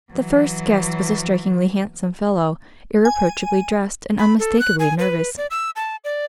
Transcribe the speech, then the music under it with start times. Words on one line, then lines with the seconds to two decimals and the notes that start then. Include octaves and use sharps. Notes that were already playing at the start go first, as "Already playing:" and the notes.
The first guest was a strikingly handsome fellow, irreproachably dressed and unmistakably nervous.
0.12 E3 F#3
3.05 G#5
4.19 B5
4.39 A4
4.60 F#6
4.79 G#5
4.99 B4
5.38 D5
5.51 E6
5.76 A5
6.04 D5